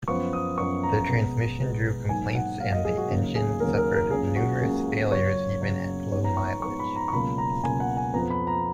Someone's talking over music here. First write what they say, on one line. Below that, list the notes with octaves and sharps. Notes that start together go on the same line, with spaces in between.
The transmission drew complaints and the engine suffered numerous failures even at low mileage.
F#2 F3 B3 C#6
D#6
F#2 F3 B3 C#6
A#5
B2 G#3 B3
B2 G#3 B3
G#2 F#3 A#3 G#5
F#5
G#2 F#3 A#3 F5
D#5
G#4
F#4
D#2 C#3 F#3 A#3
G#4
D#2 C#3 F#3 A#3 A#4
A#4
A#4
C#2 C#3 F#3 A#3 G#4
F#4
C#2 C#3 F#3 A#3 G#4
F#2 C#3 F#3 C#5
F#2 C#3 F#3
G#2 F3 B3 C#5
A#5
C#6
G#2 F3 B3 C#6
B5
A#5
C#6
C#2 B2 F#3 A#3 B5
A#5
C#2 B2 F#3 A#3 G#5
F#5
G#5
F2 F3 B3 A#5
B5
A#5